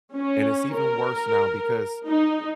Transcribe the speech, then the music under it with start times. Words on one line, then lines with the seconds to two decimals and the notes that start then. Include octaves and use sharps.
And it's even worse now because
0.14 C#4
0.74 A#4
2.07 D#4